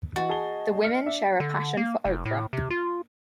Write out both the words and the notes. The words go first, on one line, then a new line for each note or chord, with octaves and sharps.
The women share a passion for Oprah.
E3 F#4 D#5 F#5 A6
G#4 A5 G7
F6 C#7
D4 E5
D3
A#3
F1
A2
C3
F4